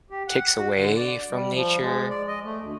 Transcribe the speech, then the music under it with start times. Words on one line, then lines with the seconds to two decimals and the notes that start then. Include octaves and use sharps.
takes away from nature?
0.10 G4
0.28 F#5
0.58 F#4
0.78 D3
0.96 D5
1.29 G3
1.53 F3
1.82 G#3
2.10 D5
2.28 D#5
2.45 A3
2.60 D2